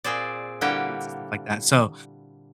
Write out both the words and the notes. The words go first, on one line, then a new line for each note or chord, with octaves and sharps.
streets, and stuff like that. So,
A#2 C4 G#4 C5 D5
D3 G3 A#3 E4 F#4 G5